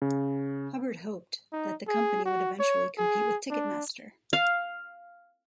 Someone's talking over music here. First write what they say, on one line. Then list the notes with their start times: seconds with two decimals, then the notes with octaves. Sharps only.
Hubbard hoped that the company would eventually compete with Ticketmaster.
0.02 C#3
1.52 D#4
1.88 G#4
2.25 F#4
2.60 C#5
2.98 G#4
3.50 D4
4.33 F5